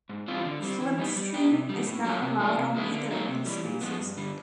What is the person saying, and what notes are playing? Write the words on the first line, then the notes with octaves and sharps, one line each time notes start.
Slipstreaming is not allowed on either of these spaces.
G#2
E3 G3 C4 F4
D3
G3 C4
E3
G3 B3 D#4
G3
B3 D4 G4
C3
D#3 G3
A2
F#3 A3 C#4 F4
C3
E3 G3 A#3 D4
C3
E3 G#3 B3 E4
D3
F#3 A#3 D#4
C3
E3 G3
A#2
F3 G#3 B3
G2
D3 G3